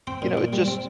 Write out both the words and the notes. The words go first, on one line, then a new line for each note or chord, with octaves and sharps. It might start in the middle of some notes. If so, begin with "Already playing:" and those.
you know, it just
C4 C5
A#2
A#2
G3
C4